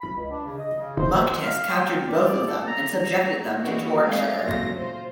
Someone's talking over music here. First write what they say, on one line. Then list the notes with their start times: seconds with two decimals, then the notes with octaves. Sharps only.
Muktis captured both of them and subjected them to torture.
0.01 B5
0.15 C#2
0.30 D4
0.45 C#3
0.58 D#5
0.78 C#3
0.98 C5
1.43 F5
1.70 G5
2.08 D5
2.26 D5
2.47 A4
2.67 A#5
2.95 A#5
3.61 E3 G3 A#3 D#4 E4 F#4
4.02 G#3 A3 C4 D5 F5 G#5
4.42 A#2 C#3 F#3 A3 F4 A#6
4.76 F4 C5